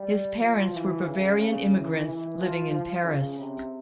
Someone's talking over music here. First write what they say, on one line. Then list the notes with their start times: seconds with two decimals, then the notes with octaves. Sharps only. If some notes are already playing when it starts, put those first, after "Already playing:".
His parents were Bavarian immigrants living in Paris.
Already playing: G3
0.40 F3
0.74 E3
1.06 C#3
1.39 C#3
1.73 E3
2.06 E3
2.39 F3
2.71 F3
3.05 C#3
3.39 C3